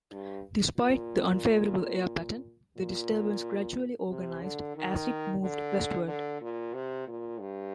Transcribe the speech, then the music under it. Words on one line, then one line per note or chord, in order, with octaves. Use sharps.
Despite the unfavorable air pattern, the disturbance gradually organized as it moved westward.
G2
A#2
A#2
C3
D3
D#3
D3
D3
A#2
C3
A#2
G2